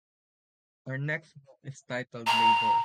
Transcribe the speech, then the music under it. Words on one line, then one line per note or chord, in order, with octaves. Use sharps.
Our next book is titled "Labor".
A#5